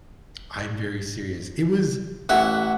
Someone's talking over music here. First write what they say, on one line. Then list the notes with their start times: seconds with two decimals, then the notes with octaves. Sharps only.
I'm very serious. It was
2.29 A1 E4 F#5